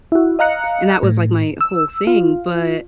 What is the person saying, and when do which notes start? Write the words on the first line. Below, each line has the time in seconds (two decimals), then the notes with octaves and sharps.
and that was, like, my whole thing. But
0.12 E4 F#4
0.39 D#5 F5 A#5 F#6 C#7
1.03 A2
1.61 E6
2.07 F4